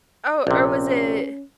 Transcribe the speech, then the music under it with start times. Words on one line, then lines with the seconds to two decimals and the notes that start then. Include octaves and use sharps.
oh, or was it
0.47 A#1 C3 C#4